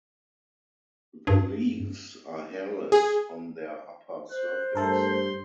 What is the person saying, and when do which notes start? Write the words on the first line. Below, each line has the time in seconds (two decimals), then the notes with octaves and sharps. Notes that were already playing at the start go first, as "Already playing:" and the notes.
The leaves are hairless on their upper surface.
1.27 G2
2.92 G#4
4.31 C5 F#6
4.75 G2 A3 A4 A#4 C6